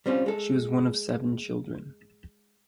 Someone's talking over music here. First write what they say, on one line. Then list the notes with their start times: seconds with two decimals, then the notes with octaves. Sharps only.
She was one of seven children.
0.06 G3 C4 C#4 F4
0.26 G#3 A4